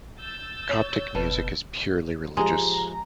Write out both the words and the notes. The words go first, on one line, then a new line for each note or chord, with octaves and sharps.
Coptic music is purely religious.
E6 G6 A6
C#5
F#1 B2 A5
F3 G#3 G4 G#4 A#5